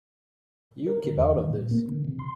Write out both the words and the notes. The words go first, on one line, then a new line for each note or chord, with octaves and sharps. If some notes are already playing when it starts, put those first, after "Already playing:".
You keep out of this.
A#4
D3
E2
D#3
A#2
A#3
D3
C3
C6